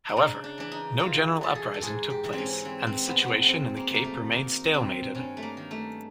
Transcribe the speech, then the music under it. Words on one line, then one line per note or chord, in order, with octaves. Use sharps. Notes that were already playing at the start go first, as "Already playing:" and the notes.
However, no general uprising took place, and the situation in the Cape remained stalemated.
D#4
C#3 D4
D4
E3 D4
D#4
E3 F4
E3 A4
G#4
A4
G#2 G#4
G4
E3
C4
C#4
E3 C4
C4
G#2 B3
B3 C4
F#2 C4
A#3
D#3 A#3
A3
D#3 A#3
D#3 C4
G2 C#4
A3
A#3
D#3
A3